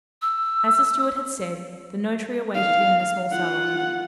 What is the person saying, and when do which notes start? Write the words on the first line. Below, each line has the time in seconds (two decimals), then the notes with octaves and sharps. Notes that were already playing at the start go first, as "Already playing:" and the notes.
As the steward had said, the notary awaited him in the small salon.
0.22 E6
2.55 F5
3.32 F4 F#5